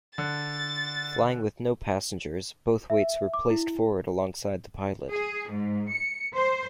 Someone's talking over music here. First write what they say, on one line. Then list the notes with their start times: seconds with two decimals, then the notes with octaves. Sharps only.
Flying with no passengers, both weights were placed forward alongside the pilot.
0.18 D3 A6
2.90 E5
3.34 D6
3.50 E4
5.11 G#4
5.51 G#2
5.91 C#7
6.35 C5